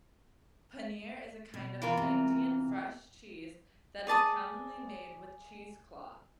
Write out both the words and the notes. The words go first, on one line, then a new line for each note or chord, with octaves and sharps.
Paneer is a kind of Indian fresh cheese that is commonly made with cheesecloth.
B2
E3 F4 A#4
C3
G#4 D5 A5 D#6